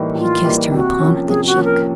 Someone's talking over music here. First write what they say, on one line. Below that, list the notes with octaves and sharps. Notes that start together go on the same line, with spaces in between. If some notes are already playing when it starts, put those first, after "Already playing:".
He kissed her upon the cheek.
Already playing: A2 E3 G3 A#3 D#4
A2 F4
E3 G3 A#3 D#4
C3 F#4
F3 A#3 C#4
C3 G#4
F#4
F3 A#3 C#4
A#4